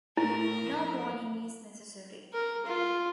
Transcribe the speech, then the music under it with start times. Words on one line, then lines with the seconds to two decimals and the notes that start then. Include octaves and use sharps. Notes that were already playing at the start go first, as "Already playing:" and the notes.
No warning is necessary.
0.17 A2 E4 A#4
0.66 F2
2.33 A#4
2.65 F4